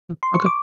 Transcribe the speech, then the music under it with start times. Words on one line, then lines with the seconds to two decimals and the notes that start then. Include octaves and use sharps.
Hm. Okay.
0.23 C6
0.35 C#6
0.46 D6